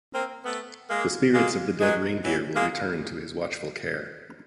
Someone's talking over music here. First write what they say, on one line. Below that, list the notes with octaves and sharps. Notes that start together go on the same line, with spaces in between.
The spirits of the dead reindeer will return to his watchful care.
A#3 C4
A3 B3
G#3 A#3
G#3 A#3
F#3 G#3
E3 F#3
G#3 A#3